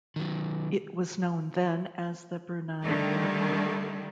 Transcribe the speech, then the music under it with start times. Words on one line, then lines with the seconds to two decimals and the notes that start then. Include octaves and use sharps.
It was known then as the Brunei Airport.
0.16 D#3 F#3
2.85 D3 D#3 G3 A3